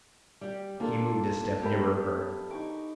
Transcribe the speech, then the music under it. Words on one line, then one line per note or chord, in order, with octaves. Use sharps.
He moved a step nearer her.
G3 G4
A#3 D4 F4 A4
B3 G4 A#4 E5 B5
D#4 C#6 D6